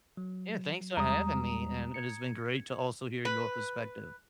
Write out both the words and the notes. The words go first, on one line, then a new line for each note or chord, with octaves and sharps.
Yeah, thanks for having me, and it has been great to also hear your perspective.
F#3
E2 G3 G#3 A#5 D#6
G#6 C#7
B4